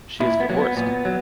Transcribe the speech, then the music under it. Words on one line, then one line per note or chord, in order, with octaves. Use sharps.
She is divorced.
A#2 E4
B3
F#3 A#3
B3
A#2 B3
F#3